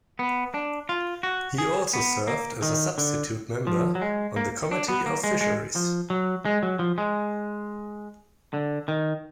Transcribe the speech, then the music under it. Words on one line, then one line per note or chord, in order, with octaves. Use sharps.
He also served as a substitute member on the Committee on Fisheries.
B3
D4
F4
F#4
G#4
B3
A#3
D#3
D3
F3
F#3
G#3
A#3
D4
B3
A#3
G#3
G#3
F3
F#3
G#3
F#3
F3
G#3
D3
D#3